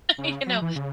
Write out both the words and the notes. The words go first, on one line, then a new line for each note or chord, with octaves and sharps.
you know,
C#3
F#3
E3
C#3